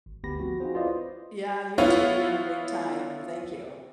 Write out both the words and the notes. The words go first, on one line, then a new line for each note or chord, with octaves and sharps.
Yeah, you too, you have a great time, and thank you.
G#1
G1 D2 B3 G4 B5 A#6
F3 C4 F#4
C4 D#4 F4 F#4 G#4 C5
E4 F4 B4 C5 D5 D#5
B3 E4 F4 C#5